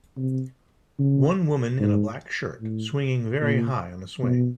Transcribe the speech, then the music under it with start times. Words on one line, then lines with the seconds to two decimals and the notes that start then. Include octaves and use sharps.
One woman in a black shirt swinging very high on a swing.
0.18 C3
0.99 C#3
1.80 G#2
2.61 A2
3.42 A#2
4.23 B2